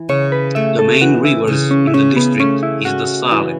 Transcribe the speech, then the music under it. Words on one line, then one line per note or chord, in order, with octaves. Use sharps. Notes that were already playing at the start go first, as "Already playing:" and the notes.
The main rivers in the district is the Saale.
Already playing: E3
C#3 C#5
B4
A3 E5
A4
E3 F#4
E4
C#3
C#4
E4
C#3 C#4
B3
A3 C#4
E4
C#4 F#4
E3